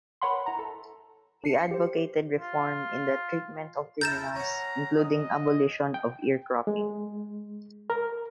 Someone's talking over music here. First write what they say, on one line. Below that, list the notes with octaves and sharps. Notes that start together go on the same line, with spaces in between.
He advocated reform in the treatment of criminals, including abolition of ear cropping.
A#4 B4 C#5 F#5 B5 C6
E4 A#5
A4
D4 C7 C#7
G4 C5
F4
E4 A4 A#4 G6 A6 E7
C#4 F#5 A#5
D#5
G5
G#3
A#4